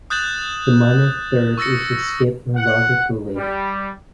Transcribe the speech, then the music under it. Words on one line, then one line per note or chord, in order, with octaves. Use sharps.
The minor third is a skip melodically.
D#6 F#6 G6 A6 E7 F#7
C#6 E6 A6 A#6 C#7
F#5
G3